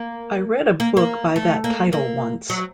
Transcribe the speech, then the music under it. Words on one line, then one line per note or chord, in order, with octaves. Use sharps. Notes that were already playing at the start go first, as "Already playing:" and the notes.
I read a book by that title once.
Already playing: A#3
A#3
A#3
A3
A#3
A#3
F#3